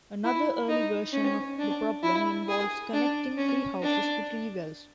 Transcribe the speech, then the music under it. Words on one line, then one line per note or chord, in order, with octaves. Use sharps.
Another early version of the problem involves connecting three houses to three wells.
E4
D#4
C#4
D4
E4
G#4
D4
C#4
D4